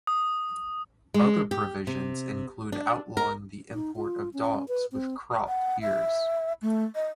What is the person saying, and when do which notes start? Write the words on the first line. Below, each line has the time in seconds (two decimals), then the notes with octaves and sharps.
Other provisions include outlawing the import of dogs with "cropped" ears.
0.07 D#6
1.14 G#3
1.51 G4
1.87 C3
2.72 D4
3.17 A#4
3.74 D#4
3.96 F4
4.33 C#4
4.68 B4
4.92 C4
5.48 F#5
5.82 E5
6.62 A3
6.95 D#5